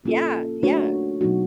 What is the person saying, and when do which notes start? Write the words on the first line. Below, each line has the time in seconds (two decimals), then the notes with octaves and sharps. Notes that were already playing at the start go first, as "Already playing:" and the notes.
Yeah, yeah,
0.05 A#3 C#4 F4 A4
0.63 A3 D4 F#4 A#4 C#5
1.21 B2 F#3 B3 D#4 F#4